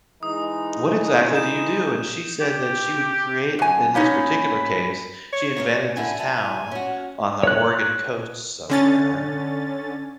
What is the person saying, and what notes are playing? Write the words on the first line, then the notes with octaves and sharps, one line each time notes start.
"What exactly do you do?" And she said that she would create in this particular case, she invented this town on the Oregon Coast somewhere.
E3 G#3 D#4 D#6
G6 E7
G4
F#2 G#5
A#3 C#4 D#4 B5
C#5
C#3 A#3 C#4
D3 E4 G#5
E4 A5
C#4 F#4
C#5 F#6
D3 C#4 A6